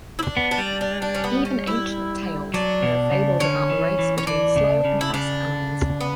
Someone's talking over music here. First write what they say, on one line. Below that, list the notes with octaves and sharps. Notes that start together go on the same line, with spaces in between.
Even ancient tales know fables about the race between slow and fast animals.
E4
D4
B3
D4
G3
D4
D4
C#4
B3
C#4
E4
F#3 D4
B2
C#3
D3 C#4
E3
E3
C#4
E3 D4
C#3
C#3
E4
C#3 D4
B3